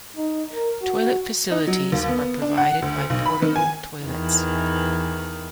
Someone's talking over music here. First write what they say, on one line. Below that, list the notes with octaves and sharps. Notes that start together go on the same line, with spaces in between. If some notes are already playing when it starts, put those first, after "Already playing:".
Toilet facilities are provided by portable toilets.
D#4
A#4
F#4
D#4
F#3
D#2
B3
D4
F#5
D2
B1
B5
D#3
G#5
E2 D#3 E3